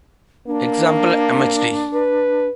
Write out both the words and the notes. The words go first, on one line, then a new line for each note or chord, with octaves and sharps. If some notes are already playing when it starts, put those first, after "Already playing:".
Example mhd.
A#3 D4
B4